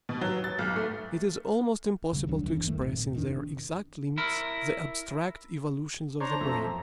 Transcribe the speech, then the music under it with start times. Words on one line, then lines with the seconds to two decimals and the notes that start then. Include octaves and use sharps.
It is almost impossible to express in their exact limits the abstract evolutions of the brain.
0.09 B2
0.21 F#3
0.44 A6
0.59 B1
0.76 A3
2.12 F2 C#3 G3
2.27 C#2 D#3 F#3 D4
2.46 G1 F2 E3
2.66 G1 D#2 D#3 A3
2.81 F2 A#2
3.14 F#1 D#3 C#4 D4
4.18 E4 A#4
6.20 D4 C5 C#5 A#5
6.41 F2 A3